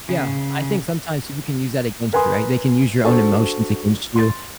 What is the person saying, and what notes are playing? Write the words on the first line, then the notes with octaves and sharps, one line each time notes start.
Yeah, I think sometimes people can use that against you, right? They can use your own emotions against you,
C#3
A#4 B4 G#5 B5 C6 D#6
D4 F#4 A4 C5 A5 C#6
C6 A6